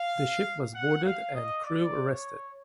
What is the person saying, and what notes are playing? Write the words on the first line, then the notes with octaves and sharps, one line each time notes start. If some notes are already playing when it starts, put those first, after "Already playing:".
The ship was boarded and the crew arrested.
Already playing: F5
F#5
F5
D#5
D5
C#5